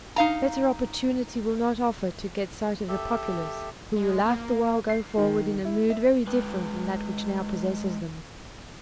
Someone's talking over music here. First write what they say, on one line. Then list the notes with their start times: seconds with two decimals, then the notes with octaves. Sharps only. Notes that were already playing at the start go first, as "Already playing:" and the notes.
Better opportunity will not offer to get sight of the populace who will afterwhile go forward in a mood very different from that which now possesses them.
0.16 D#4 F5 A#5
2.89 G4 A4 E5
3.96 G#3
4.26 A#3
4.89 C7
5.18 D#3
5.65 E4
5.90 E5
6.27 G#3 B4